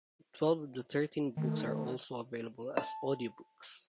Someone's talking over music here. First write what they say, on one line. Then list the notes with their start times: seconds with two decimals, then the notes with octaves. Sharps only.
Twelve of the thirteen books are also available as audiobooks.
1.37 D#3 A3
2.77 A5